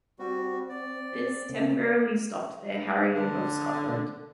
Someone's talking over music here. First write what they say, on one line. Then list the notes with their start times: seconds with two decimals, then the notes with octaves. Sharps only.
This temporarily stopped their harrying of Scotland.
0.19 G3 C4 F#4
0.69 D5
1.49 C#3 A#3 C4
3.14 D3